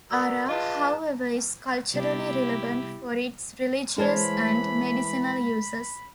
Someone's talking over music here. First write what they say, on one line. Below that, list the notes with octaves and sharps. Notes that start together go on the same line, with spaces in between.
Ara, however, is culturally relevant for its religious and medicinal uses.
F#4 A#4 D5 F#5 E6
F4 G#4 B4 D#5 A5
C3 G3 B3 E4 G4
E3 G#3 A#4 C5 C#5 A5 B5